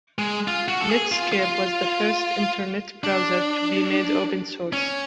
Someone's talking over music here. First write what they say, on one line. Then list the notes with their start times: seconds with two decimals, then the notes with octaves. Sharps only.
Netscape was the first internet browser to be made open source.
0.19 G#3
0.48 F4
0.68 F#4
0.81 A4
0.90 G#4
1.12 F4
1.32 F4
3.04 D4
4.73 C#4